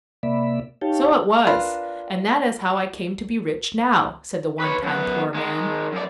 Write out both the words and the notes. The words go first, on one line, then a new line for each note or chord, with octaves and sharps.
"So it was, and that is how I came to be rich now," said the one-time poor man.
C3 A#3 D5 E5 B5
D#4 G4 C#5 F5 G5 A5
D4 F4 A#4 B4
B4 C#5
F#2 B3
D#3 G#3
F#2 D5